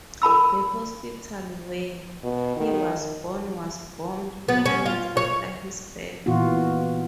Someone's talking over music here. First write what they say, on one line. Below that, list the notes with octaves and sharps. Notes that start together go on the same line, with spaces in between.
The hospital where he was born was bombed moments after his birth.
A#4 A5 B5 E6
B2
D#3
B3
C#4
F4
C#5
A#2 E3 B3 F4 F#4